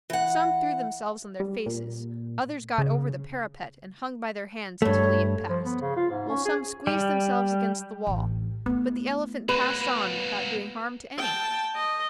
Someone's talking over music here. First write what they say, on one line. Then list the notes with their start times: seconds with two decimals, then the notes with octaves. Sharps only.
Some threw themselves on their faces, others got over the parapet and hung by their hands until he had passed, while some squeezed themselves against the wall; but the elephant passed on without doing harm to any.
0.10 E3 F#5
1.40 G3
1.66 A#2
2.78 C#3
4.82 G2 A3 C#5
5.49 F3
5.64 B3
5.82 C#3
5.96 F4
6.10 G#2
6.30 C#4
6.45 G#4
6.87 G3
8.07 A1 D4
8.66 A3 B3 E4
9.49 F#3 A#3 B4
11.18 G5 A5
11.75 D#5